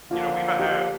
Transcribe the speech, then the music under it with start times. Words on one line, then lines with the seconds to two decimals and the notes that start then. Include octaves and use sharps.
you know, we've, uh, had
0.11 D3 F3 A#3 F4
0.59 G4